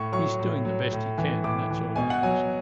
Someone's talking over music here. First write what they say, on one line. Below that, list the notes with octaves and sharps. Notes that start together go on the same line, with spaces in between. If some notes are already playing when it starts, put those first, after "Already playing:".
He's doing the best he can, and that's all I ask.
Already playing: A2 C#6
F#3 C#6
A2
F#3
A2
E3
A2 D6
E3
B2 G#5
F#5
F#3 G#5